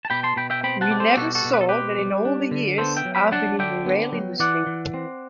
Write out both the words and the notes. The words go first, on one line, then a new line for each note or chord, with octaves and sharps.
We never saw that in all the years I've been in the rail industry.
A5
B2 G5 B5
A5 C6
B2 G5 B5
E5 G5
C4 G5 B5
F#5 A5
G3
A4 C5
B2 F#4 A4
F#4 A4
B2
B4
A4
C4 G4 B4
G3
D4
D3
B3 A4 C5
E5 G5
F#3
G5 B5
D4 F#5 A5
D3 E5 G5
B3
F#3
E3 D5 F#5
E3
C4